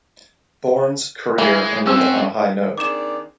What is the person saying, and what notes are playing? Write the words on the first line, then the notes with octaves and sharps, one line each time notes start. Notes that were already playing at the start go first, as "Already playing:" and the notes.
Bourne's career ended on a high note.
E3 G#3
C4 C#4 F#4 E6
D#3 C4 D4 G#4 D5 D6 E7